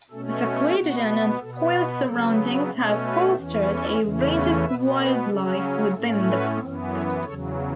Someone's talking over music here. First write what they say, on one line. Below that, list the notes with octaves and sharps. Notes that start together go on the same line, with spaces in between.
The secluded and unspoilt surroundings have fostered a range of wildlife within the park.
B2 A3 C#4 A4
F#4
B2 B3 F#4
B2 B3 A4
F#4
C#3 F#3 B3 A4
B2 A3 C#4
F#4 B4
E2 E3 C#4
A4
E2 C#3 E3 A3 C#4
F#4 B4
B2 B3 B4 E5
A4 C#5
C#3 F#3 C#4 A4
F#4
A2 A3 C#4 A4
F#4 B4
F#2 E3 B3
A4 C#5
E2 C#3 F#3 A4 C#5